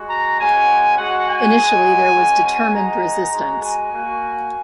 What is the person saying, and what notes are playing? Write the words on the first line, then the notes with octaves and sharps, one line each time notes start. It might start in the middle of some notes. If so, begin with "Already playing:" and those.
Initially there was determined resistance.
Already playing: G#3 F#4
A#5
G#3 C#4 F#4 G#5
G#3 F#4 F#5
G#5
G#3 D#4 F#4
G#3 C#4 F#4
G#5
G#3 D#4 F#4 A#5
G#3 F#4
G#5
A#3 F#4